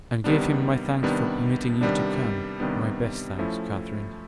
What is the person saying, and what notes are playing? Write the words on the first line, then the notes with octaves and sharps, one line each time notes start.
'And give him my thanks for permitting you to come--my best thanks, Catherine.
C3 D#3 G3 B3 D4
C3 D#3 G3 B3 D4
C3 D#3 G3 B3 D4
C3 D#3 G3 B3 D4
F3 A3 C#4 E4